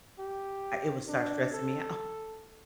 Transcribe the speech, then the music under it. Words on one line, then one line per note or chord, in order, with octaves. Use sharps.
I it will start stressing me out.
G4
D4
A4